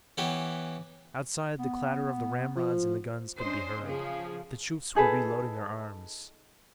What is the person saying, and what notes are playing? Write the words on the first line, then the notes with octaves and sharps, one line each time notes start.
Outside, the clatter of the ramrods in the guns could be heard; the troops were re-loading their arms.
E3 B3 C#4 G4 B4
B3
F3
C#4 D4 C5 D#5
C#3 F3 G#4
D#4 G#4 A4 B4